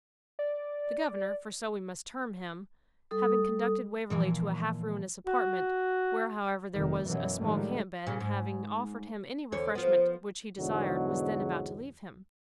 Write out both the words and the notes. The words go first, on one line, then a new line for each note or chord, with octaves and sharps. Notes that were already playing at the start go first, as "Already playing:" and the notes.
The governor, for so we must term him, having conducted Waverley to a half-ruinous apartment, where, however, there was a small camp-bed, and having offered him any refreshment which he desired, was then about to leave him.
D5
G3 A4 D#6
A#2 E3 F3
F#4
F1 D#3
F#2 B2 E3 F#3
A2 D3 D#3 F3 G3 G#3
A#2 C#3
G#2
E2 D3 C#5
F3 B3
E2 G#2 B2 D3 F#3 G#3